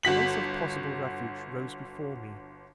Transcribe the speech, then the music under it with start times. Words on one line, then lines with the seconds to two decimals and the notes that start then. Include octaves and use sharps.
The place of possible refuge rose before me.
0.03 G1 F#4 B6 F#7